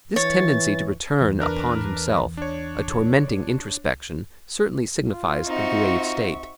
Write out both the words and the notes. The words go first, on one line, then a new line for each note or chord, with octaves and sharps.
This tendency to return upon himself, a tormenting introspection, certainly signifies a grave state.
E3 C#5 A6
E2 E3
D4 A#4 B4
D4 C#5
F4
C4 D#4 F#4 E5 C#6